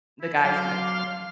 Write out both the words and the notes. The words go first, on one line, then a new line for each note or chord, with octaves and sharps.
the guys in my family.
E4
F#3 F5 C6 D6 F6